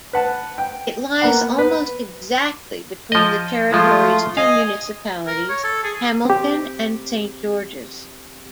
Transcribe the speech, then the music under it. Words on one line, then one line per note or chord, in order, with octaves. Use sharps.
It lies almost exactly between the territory's two municipalities, Hamilton and Saint George's.
B4 F#5 A5
G5
A#3 B3 F#5
B4
F3 D#5
F3 G#3 A3 F4
D#5 F5 G#5
A#4
C#5
A4
G#4
C4 G4